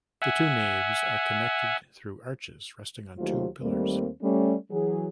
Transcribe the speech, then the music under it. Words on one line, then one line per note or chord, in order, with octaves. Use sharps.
The two naves are connected through arches rested on two pillars.
E5 F#5 G#5
D#2 F#3 A3 F4 G4 C5
D#2 G3 A3 A#3 C4
G3 A3 C#4
E3 F#3 G#4